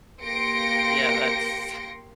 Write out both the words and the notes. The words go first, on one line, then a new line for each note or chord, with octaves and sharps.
Yeah, that's
A#3 G4 C6 A#6 C#7 D7